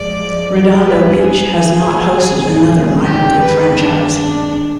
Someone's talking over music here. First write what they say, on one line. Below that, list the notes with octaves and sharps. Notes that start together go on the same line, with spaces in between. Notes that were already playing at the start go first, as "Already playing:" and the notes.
Redondo Beach has not hosted another minor league franchise.
Already playing: G2 F3 G#3 D5
B4
G#4
G2 D#3 G#3
G4
B4
D4
D4